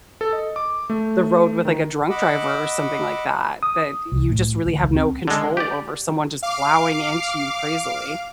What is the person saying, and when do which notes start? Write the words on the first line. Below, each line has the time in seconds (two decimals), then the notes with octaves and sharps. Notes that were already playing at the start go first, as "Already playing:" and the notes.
the road with, like, a drunk driver or something like that, that you just really have no control over someone just plowing into you crazily.
0.21 A4
0.33 D#5
0.56 D6
0.90 A3
1.65 D#3
2.10 D#5 F#5 B5 D6 E6
3.63 D#6
4.12 C2
4.30 A2
4.66 D2
4.83 C#2
4.96 C4
5.28 D3 G#3
5.57 G4 D5
6.43 F5 D6 F6